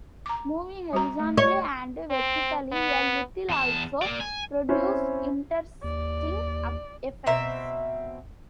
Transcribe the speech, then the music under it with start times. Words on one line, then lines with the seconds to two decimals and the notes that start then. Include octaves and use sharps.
Moving horizontally and vertically a little also produces interesting effects.
0.26 A#5 D6
0.93 G3 F#4 A#5
1.19 A3
1.37 C#5
2.10 C4
2.72 B3
3.49 E2 A5
4.02 A#3 D5
4.21 G#5
4.69 C4 C#4 E4 C5 C#5
5.84 D#2 D5
7.26 B2 C4 E5 A#5